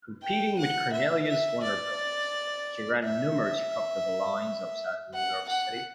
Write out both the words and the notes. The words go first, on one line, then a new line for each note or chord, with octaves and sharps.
Competing with Cornelius Vanderbilt, he ran numerous profitable lines outside of New York City.
G5
F#5
E5
E5
D5
E5
F#5
F#5